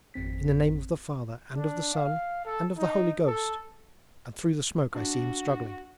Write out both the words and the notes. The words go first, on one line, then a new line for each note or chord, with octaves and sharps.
"In the name of the Father and of the Son and of the Holy Ghost"... and through the smoke I see him struggling.
G#1 F2 C4 B6
D4
F5
A4
D#4
A4
D4 F#4